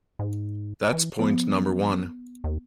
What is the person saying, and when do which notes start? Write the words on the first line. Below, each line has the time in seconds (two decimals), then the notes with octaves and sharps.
That's point number one.
0.19 G#2
0.93 E3
1.19 F3 B3
2.44 D#2